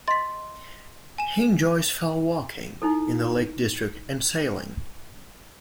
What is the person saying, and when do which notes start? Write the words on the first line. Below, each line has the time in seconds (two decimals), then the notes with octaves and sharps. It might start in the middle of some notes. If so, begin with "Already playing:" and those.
He enjoys fell walking in the Lake District and sailing.
0.08 D#5 C6 A6 B6
1.18 G#5 E7
2.82 D#4 E4 A4